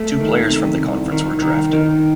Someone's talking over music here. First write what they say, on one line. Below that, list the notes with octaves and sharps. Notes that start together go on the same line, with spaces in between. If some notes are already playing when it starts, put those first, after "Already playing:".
Two players from the conference were drafted.
Already playing: A3
D#3
C3
C2
D#3
D#3
D#3